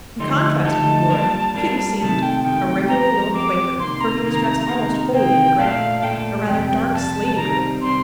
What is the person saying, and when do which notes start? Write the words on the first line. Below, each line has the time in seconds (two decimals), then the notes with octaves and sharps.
In contrast with Glory, Kitty seemed a regular little Quaker, for he was dressed almost wholly in gray, a rather dark, slaty-gray.
0.20 D3 F3 A3 D#4 G4 C6
0.65 D3 F3 A3 D#4 G4 A5
1.09 G3 A#3 D4 F4 A#4
1.54 G3 A#3 D4 F4 A#4
1.99 C3 D#3 A3 A5
2.22 G5
2.44 C3 D#3 A3 G5
2.88 F3 C4 G4 A#5
3.34 F3 C4 G4 D6
3.79 C3 D#3 A#3 C6
4.01 A#5
4.23 C3 D#3 A#3
4.68 C3 D#3 A#3
5.13 C3 D#3 A#3 G5
5.58 A#2 A3 D4 A4 F5
6.02 A#2 A3 D4 A4 G5
6.47 F2 C3 G3
6.92 F2 C3 G3 A5
7.37 C3 D#3 G3 C4 A#5
7.81 C3 D#3 G3 C4 C6